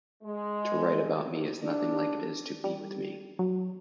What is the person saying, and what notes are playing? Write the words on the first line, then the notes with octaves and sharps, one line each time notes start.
To write about me is nothing like it is to be with me.
G#3
D4
G3
F#3